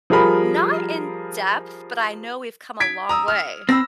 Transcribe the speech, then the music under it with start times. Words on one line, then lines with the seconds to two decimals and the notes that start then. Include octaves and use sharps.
Not in-depth, but I know we've come a long way.
0.10 F3 G3 G#4 A#4 B5
2.80 G#6 B6 D7
3.09 A#5 D#6 E6
3.28 F6
3.69 C4 B5 E6 A#6